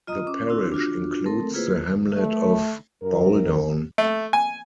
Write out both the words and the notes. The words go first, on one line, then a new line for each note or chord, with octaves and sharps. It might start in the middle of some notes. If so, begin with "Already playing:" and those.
The parish includes the hamlet of Bowldown.
F4 D#5 A#5 D#6
C#4 D6
C4 D4 E4 F#4
D4 F4 F#4
A3 C4 A4 A#4
A#3 E4 F4 G#4 B4 C5
A3
F#2 A#4
A3
G#5